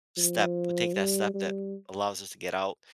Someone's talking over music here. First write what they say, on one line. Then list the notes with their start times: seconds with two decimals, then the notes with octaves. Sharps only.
step we take that step that allows us to get out,
0.18 F3
0.95 G3
1.34 G3